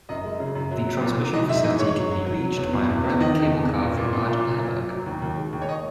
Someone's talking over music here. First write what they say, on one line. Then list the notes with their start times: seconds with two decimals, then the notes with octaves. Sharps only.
The transmission facility can be reached by a private cable car from Bad Bleiberg.
0.09 F#2 D#5
0.24 G#3
0.40 C#3
0.55 F#2
0.71 F#3
0.87 F#3
1.02 A#2
1.18 F#3
1.33 G#2 D#5
1.48 G#2 E5
1.64 E3 D#5
1.79 G#3 C#5
1.96 F#3
2.12 F#3
2.26 F#3
2.42 F#3
2.57 E2
2.73 B2
2.89 E2
3.04 E2
3.20 D#3 D#5
3.36 E2
3.51 E2
3.67 E2
3.82 A#2
3.97 A#2
4.13 A#2
4.29 A#2
4.45 F#3
4.59 A#2
4.76 F#3
4.92 F#3
5.06 D#2
5.22 D#2
5.38 G#3
5.53 D#2
5.62 C#5
5.69 D#5